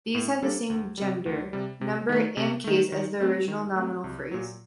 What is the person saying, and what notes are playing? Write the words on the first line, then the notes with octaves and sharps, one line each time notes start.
These have the same gender, number and case as the original nominal phrase.
A2
G3 A#3 D4 A4
D2
C3 G3
D2
C3 G3
C3
D#3 A3
C3
D#3 A3
D#3
A3 C4
D#3
A3 C4
C2
A#2 F#3